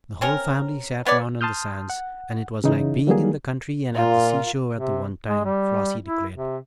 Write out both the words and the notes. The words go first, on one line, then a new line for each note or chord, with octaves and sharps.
The whole family sat around on the sands, and it was like being in the country and at the seashore at the one time, Flossie declared.
C4 C#4 A#4
G#3 B3 C#5 D5
A5 C6 D#6 F6 G6
F#5
C#3 E3 D#4 E4
E3 F#3 G3 A#3 G#4
A#2 F4 A#4
C3
G#3
G3
E4
C3